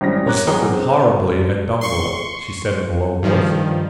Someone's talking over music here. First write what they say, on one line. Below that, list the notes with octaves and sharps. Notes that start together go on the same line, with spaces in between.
"You suffered horribly at Dongola," she said in a low voice.
G#1 F#2 G3 C#4 E4 A#6
A#4 C#5 A#5 D6 F#6
E2 F#3 G#4 A#5 G7
C4
C6 C#6
G2 D#3 F3